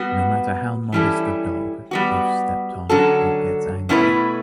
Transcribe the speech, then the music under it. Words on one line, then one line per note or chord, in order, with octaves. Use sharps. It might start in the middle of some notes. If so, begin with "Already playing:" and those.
No matter how modest the dog, if stepped on, it gets angry.
Already playing: G3 B3 F#4
E3 G3 C#4 E4 A4
G3 B3 F#4
D3 F#3 C#4 F#4 A4
B2 A3 C#4 E4 B4